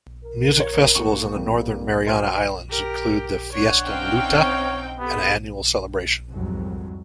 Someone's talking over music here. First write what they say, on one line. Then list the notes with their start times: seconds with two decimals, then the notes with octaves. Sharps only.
Music festivals in the Northern Mariana Islands include the Fiestan Luta, an annual celebration.
0.24 A#4
0.60 C#5
0.95 D#2 C#6
1.35 F2 C#3 G3 A#3
2.07 F#3 C5 G5 F6
2.70 G4 A#4
3.52 D4 C#5 F#5
3.84 C4 C#4 D#4 F5 G5
4.33 C#5
4.99 B3 G4 A4
6.29 C2 F2 G#2 F#3